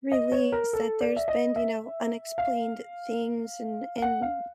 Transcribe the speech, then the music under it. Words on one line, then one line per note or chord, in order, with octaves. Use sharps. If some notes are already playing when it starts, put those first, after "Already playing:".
released that there's been, you know, unexplained things, and and
D#5
C#5
A#4
A4
D5
E5
D#5
E5
F5
F5
F#5
F5